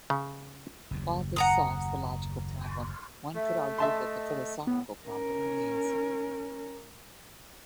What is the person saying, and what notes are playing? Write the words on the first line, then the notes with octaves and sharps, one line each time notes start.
While this solves the logical problem, one could argue that the philosophical problem remains.
C#3
F#1 D#2
F#5 A#5 D#6
A3 E5
D#5 E5 A5 C6
A2 B3
C#4 A#4